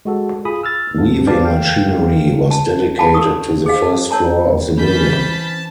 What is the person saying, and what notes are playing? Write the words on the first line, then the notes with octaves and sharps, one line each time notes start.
Weaving machinery was dedicated to the first floor of the building.
G#3 F#4 A4
F4 G#4 B5 D#6
E6 F6 A6
D#2 A4
C4 G#4 B4 D5 F5 A5
A4 F5 G5
A5
F5 A5 B5
A4 A#4 C#6 D#6
G#4 C5 D#5 F5
A5
A#4 C#5 A5 A#5
E3 C4 C#4 A5 B5 G6 B6